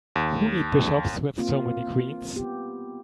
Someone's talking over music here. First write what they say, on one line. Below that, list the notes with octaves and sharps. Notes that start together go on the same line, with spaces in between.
Who need bishops with so many queens?
D#2
A#3 C4 F4
B3 G4